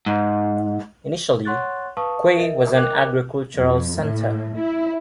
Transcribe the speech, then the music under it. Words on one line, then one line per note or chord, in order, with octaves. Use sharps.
Initially, Quay was an agricultural center.
G#2
C#5 F#5 C6 C#6 F#6 A6
B4 F5 A5 C#6 D#6
A#4 D#5 E5
A#4 D#5 G5 D6 F#6 F7
F2
A2
E4